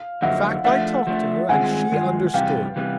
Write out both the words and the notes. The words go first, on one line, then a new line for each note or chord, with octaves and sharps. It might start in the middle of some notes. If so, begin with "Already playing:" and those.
In fact, I talked to her and she understood.
Already playing: F5
F2 D3 F#3 A#3 D#4 E5 F#5
F3 A3 D4 E5 F#5
F3 A3 D4
G2 D#3 G#3 C4 F4 F#5 G#5
G2 D#3 G#3 F4
F2 C3 E3 G3 B3 F5 G5
C3 E3 G3 B3